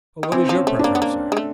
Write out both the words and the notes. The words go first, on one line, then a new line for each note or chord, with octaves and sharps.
"What is your preference, sir?"
D#3
E3 C4
F3
C#4
A3
A#3 D4
B3
A#3
G#3
A3